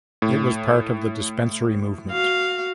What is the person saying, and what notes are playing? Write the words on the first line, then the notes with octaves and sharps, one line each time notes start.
It was part of the Dispensary Movement.
A2
F#4 F5